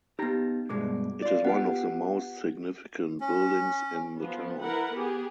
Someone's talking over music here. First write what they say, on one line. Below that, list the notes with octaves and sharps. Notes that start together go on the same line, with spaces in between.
It is one of the most significant buildings in the town.
B3 D#4 G4 A#5
G2 B2 G#3 D6
F4 D5
B3 F4 G4 F#5
C#4
F3 B3
E4 A#4 B4 F#5
B3 G4 G#4